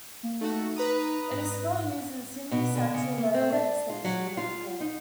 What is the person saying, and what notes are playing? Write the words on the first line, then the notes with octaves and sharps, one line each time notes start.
It is still used in Sydney Central Railway Station main hall.
A#3
A3 D#4 F#4
B4 A#5 D#6
G#2
B2
D3
C#3
A#3
C4
D4
F4
F#3
F4
D#4